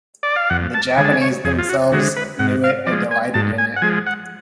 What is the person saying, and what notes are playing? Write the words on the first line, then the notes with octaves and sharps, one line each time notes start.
The Japanese themselves knew it and delighted in it.
D5
F5
F2 F#5
A5
D3 G#3 G#5
A5
G#5
C#5
F2 G#4
F4
F#4
D3 G#3 F#4
B4
G#2 F#5
F5
F3 G#3 D5
G#5
G#2 A5
G#5
F#5
F3 G#3 G#5
F#5